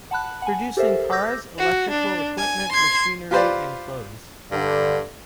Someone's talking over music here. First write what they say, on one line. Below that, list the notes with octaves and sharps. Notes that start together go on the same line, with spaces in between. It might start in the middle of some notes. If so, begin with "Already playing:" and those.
Producing cars, electrical equipment, machinery and clothes.
F#5 A5 B5 F#6
F#5 G#5
G4 A4 A#4 C5 E5
D6 E6 G6 A#6
F#4
D4
G#5
C6 G#6
F4 G4 B4 C5 D5 F5
G2 D3